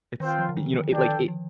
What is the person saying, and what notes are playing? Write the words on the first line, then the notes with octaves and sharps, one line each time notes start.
It's, you know, it, like, it
D#3 C4 F4 C5 G5
F3
D3
D#3
D#3
D#3 D4 A4 D5 G5
F3